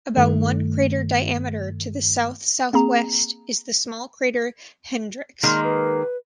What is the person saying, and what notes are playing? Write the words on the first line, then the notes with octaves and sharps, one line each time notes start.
About one crater diameter to the south-southwest is the small crater Hendrix.
G2 D#3 A3
A#3 C4 G#4 A#5
D#3 G#3 A#3 C6
B4